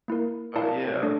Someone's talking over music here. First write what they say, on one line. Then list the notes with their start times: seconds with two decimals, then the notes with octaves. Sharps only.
But, yeah.
0.08 A#3 E4 A#4
0.55 E4 A#4 D5 F5 A5
1.02 A3 D4 A4